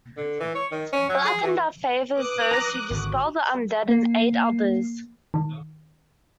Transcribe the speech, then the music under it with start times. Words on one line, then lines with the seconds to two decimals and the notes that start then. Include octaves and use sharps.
Lathander favours those who dispel the undead and aid others.
0.17 D3
0.40 E3
0.55 C#5
0.72 D#3
0.92 C#4
1.09 F#3
1.25 G#4
1.43 E3
2.17 B4 D6 D#6 F#6
2.51 A#5
2.90 G#1 D3 F#4
3.88 A#3 C7
5.34 D#3